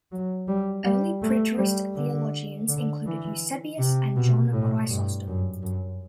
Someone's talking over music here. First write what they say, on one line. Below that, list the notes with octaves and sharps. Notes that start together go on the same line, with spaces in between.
Early Preterist theologians included Eusebius and John Chrysostom.
F#3
G3
G3
A3
G3
D3
D3
E3
C3
B2
A2
G2
F#2
F#2